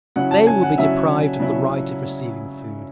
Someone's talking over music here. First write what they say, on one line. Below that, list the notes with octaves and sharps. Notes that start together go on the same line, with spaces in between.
They will be deprived of the right of receiving food.
C#3 F#3 C#4 E4 F#5
A5
G#5
F#5
C#3 F#3 C#4 E4 E5
C#3 F#3 C#4 E4